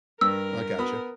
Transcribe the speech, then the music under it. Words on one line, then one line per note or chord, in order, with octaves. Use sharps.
I gotcha.
G2 A#4 E6
B3 B5 D#6